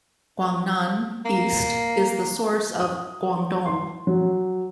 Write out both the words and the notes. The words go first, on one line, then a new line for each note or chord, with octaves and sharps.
"Guangnan East" is the source of "Guangdong".
A#3
D#6
C6
F#3